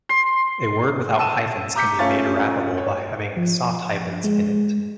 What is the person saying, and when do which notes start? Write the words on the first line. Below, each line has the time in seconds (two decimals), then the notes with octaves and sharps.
A word without hyphens can be made wrappable by having soft hyphens in it.
0.09 C6
1.19 A5 E6 D#7 E7
1.75 A#5 D6 G6 B6 C#7
1.99 A3 C#4 F4 F5 C#6 A6
2.78 C#5
3.37 F3
4.24 G#3